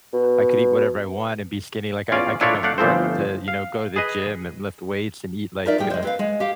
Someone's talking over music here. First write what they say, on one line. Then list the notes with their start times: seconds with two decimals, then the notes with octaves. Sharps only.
I could eat whatever I want and be skinny, like, I I kinda worked to, you know, go to the gym and lift weights and eat, like, uh,
0.13 B2
2.12 E2 C#4 F4 D5 F5
2.41 D4 E4 F4 A4 C#5 D5
2.63 A3 D4 D5 F5 F#5
2.78 G1 E3 F3 A3 C4 C5
3.48 F5
3.96 G#4 B4 D#5
5.66 D#4 F4 A#4 D5 E5
5.78 A2 G3 G#4 G5
5.90 G#3 C5
6.03 C4 B4 F5
6.19 G#3
6.40 G4 F5